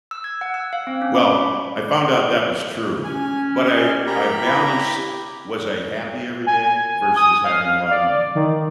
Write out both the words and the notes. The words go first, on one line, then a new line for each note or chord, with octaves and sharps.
Well, I found out that was true, but I I balanced, "Was I happy every day?" versus having a lot of money,
E6
G#6
F#5
E6
F5
C4
C#4
D6
B5
C#4 G#5
G4 D#5 G#5
G4 A#4 A#5 B5
E4
G#5
D#6
F5
D5
D#3